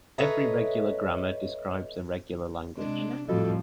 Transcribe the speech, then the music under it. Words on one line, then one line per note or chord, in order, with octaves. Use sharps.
Every regular grammar describes a regular language.
A4 B4 C#5 D#5 E5 A#5
C3 G#3 D4
F2 A2 F3 G3 F#4 A4 D#5